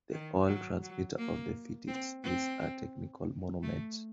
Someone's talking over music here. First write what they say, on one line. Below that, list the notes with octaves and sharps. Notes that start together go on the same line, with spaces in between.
The old transmitter of the fifties is a technical monument.
D#3
F#3
F#3
A#3
C4
C4
A3